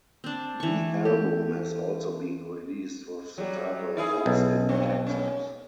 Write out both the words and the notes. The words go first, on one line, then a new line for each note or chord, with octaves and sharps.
The album has also been released with the title "Austin, Texas".
C4 D4
E3 C#6
G4 A4
F#3 G3
D#4 E4 G#4
B1
G2 C4
A#3 C#4